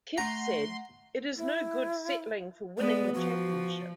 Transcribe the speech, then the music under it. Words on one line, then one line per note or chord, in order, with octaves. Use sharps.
Kidd said: It is no good settling for winning the championship.
A3 F#5 A#5 C6
E4
G#3 B3 D5
F3 F#4